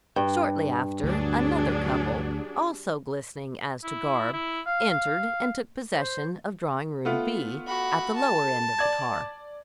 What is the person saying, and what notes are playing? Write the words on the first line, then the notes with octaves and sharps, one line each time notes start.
Shortly after, another couple, also glistening as to garb, entered and took possession of Drawing-Room "B," at the lower end of the car.
G2
D2 F#3 D4 G#4
E4
E4
F5
F5
C5
A3 B3 F4
F#4 B5
A5
D5 G#6